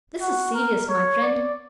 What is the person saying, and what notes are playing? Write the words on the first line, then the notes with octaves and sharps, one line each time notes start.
This is serious, my friend!
F#4
A#4
C#5
D5